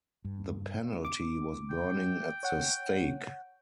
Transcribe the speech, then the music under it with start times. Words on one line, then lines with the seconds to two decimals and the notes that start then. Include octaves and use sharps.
The penalty was burning at the stake.
0.25 G2
1.05 D6
1.70 G5
2.43 C#5 F#5